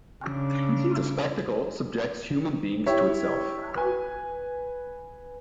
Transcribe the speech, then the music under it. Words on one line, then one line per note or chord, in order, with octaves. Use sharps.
The spectacle 'subjects human beings to itself'.
C#3 D4
E4 G4 C#5 E5
B4 G#5